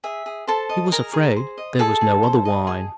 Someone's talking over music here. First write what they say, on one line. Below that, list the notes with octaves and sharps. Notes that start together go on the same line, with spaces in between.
He was afraid there was no other wine.
G#4 E5
G#4
A4 C5 A5
D#5
G#4 A#4 A#5
G#4
C5
D#5
G#4 A4 A5
G#4
C5
D#5
G#4